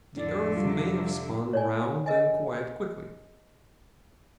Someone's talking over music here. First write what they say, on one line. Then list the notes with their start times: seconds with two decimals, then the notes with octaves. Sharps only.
The earth may have spun round then quite quickly.
0.17 F2 A2 D3 D5
0.57 C3 G3 F4
1.53 C#5 D5 G#5
2.06 G#4 A#4 D#5 G#5